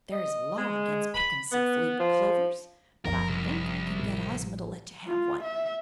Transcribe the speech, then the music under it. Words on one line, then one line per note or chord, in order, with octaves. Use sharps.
"There is a Law against picking six-leaved clovers, but I think I can get Ozma to let you have one."
D#5
G#3
B5
B3
F3
F#1 F3 A#4
C2
A1 F3
F4
E5